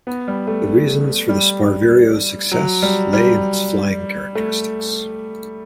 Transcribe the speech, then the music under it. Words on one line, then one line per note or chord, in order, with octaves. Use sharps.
The reasons for the "Sparviero"s success lay in its flying characteristics.
B3
G3
A3
G3
F#3
G3
G3
A3